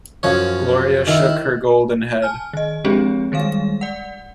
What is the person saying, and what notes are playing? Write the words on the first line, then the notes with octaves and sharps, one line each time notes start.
Gloria shook her golden head.
F#2 F3 C#5
D#3 E4
G#5 A5 F6
D#3 D#5
F3 G#3 C4 D4 G4 G#4
D#3 G3 G#3 F5
D5 F#5